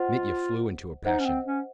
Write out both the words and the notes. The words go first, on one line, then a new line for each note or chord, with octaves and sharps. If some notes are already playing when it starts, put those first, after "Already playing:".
Mitya flew into a passion.
Already playing: F4 C5 D#5 F#5
D#4 C5 D#5 F#5
C#4
C4
C#4